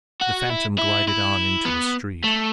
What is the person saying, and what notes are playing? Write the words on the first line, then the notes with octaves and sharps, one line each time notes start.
The Phantom glided on into a street.
F#4
E4
E4
E4
B3
A3